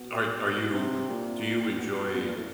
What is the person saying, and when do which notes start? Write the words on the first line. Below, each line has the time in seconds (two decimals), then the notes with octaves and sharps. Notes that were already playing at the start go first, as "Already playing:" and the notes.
Are are you do you enjoy
Already playing: B2
0.74 C3
1.09 A#2
1.69 A#2
1.78 B2
2.14 B2
2.24 A#2
2.35 A2